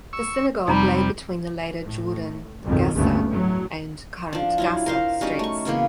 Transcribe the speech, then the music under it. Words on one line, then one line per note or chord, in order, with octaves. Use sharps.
The synagogue lay between the later Jordangasse and Kurrentgasse streets.
C#6 E6
F2 C3 G3 D#4 A#5 B5
A2
B1 F2 G#2 D#3
F#1 D2 G2 C#3 A3 B3
A2 F#3
F3 D4
F#3 E4 F4
A#4 C5 F5
G3 C#4 D#4 F#4
A3 C#6
C#3 E3 A#3 B3